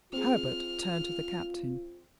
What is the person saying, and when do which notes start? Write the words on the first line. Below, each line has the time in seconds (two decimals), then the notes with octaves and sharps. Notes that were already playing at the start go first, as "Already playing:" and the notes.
Herbert turned to the Captain.
0.13 C4 F4 G#4 F6